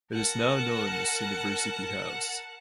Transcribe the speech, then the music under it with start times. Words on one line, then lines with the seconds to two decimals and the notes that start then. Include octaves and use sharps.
It is now known as University House.
0.13 A#4 F#5 A5